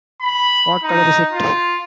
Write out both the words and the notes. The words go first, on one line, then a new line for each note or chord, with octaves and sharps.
What color is it?
B5
D#4
F4